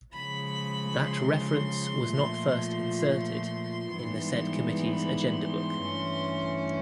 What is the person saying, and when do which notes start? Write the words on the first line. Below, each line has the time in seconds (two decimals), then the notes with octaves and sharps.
That reference was not first inserted in the said committee's agenda book.
0.14 C#3 F3 G#3 B5
1.08 C6
2.02 A#2 F3 A3
2.97 C6
3.92 G#2 E3 G3 B3
4.86 B5
5.34 C6
5.80 G2 E3 A3 C#4